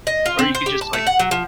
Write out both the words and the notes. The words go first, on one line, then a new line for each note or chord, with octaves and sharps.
Or you could just, like,
D#5
F4
C4
C5
G4
A5
A3
F#5
F#3
F3